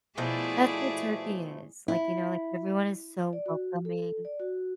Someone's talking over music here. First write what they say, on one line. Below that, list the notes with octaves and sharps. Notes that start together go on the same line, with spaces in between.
That's what Turkey is. Like, you know, like, everyone is so welcoming
B2 F3 A3 E4 G#4 D5
E4
D5
F#4
A4
D5
F#4